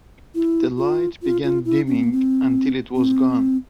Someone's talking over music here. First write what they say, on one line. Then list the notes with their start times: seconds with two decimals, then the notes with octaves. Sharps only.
The light began dimming until it was gone.
0.35 E4
0.78 F4
1.22 F4
1.44 F4
1.65 E4
1.87 C#4
1.96 C4
2.04 A#3
2.12 C4
2.96 C4